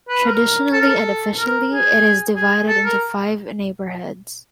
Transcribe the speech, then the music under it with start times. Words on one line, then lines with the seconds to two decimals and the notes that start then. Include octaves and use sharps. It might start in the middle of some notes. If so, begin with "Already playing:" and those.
Traditionally and officially it is divided into five neighbourhoods.
0.09 B4
0.25 A#4
0.73 A4
0.81 A#4
0.88 A4
1.38 A#4
1.71 G#4
2.36 G#4
2.68 A4
2.85 A#4